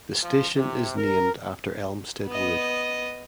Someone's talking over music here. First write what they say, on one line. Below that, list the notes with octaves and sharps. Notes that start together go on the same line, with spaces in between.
The station is named after Elmstead Wood.
F3
C3
A#4
B3 D#5